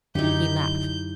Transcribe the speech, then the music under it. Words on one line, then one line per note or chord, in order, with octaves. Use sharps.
He laughed.
F#2 D3 F#3 D#4 E4 G4 G6